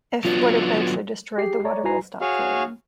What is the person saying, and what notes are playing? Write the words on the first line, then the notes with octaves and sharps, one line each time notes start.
If water pipes are destroyed the water will stop flowing.
F#3 B3 D4 F4
G4 G#4 C7
C#5 D5 A#5
E4 F#4 B4 G#5 A#5 C7
F#4 G#4 C#5 F5